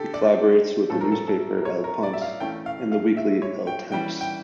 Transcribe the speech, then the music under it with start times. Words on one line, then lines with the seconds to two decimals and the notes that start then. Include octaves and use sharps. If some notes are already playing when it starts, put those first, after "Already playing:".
He collaborates with the newspaper “El Punt” and the weekly “El Temps”.
Already playing: D3 G4 A4
0.14 D5
0.90 A2 F3 A3 C#4 A4
1.01 A#4
1.12 A4
1.28 A4
1.58 A#4
1.65 C#5
1.84 A#4
2.03 D5
2.13 E5
2.22 F5
2.40 E3 A3 C#4 G5
2.66 F5
2.92 F5
3.17 E5
3.42 C#5
3.67 G5
3.92 E3 G3 C#4 G5
4.21 G5